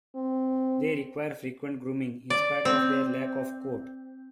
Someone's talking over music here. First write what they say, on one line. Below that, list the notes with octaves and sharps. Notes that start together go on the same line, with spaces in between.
They require frequent grooming, in spite of their lack of coat.
C4
D5
C4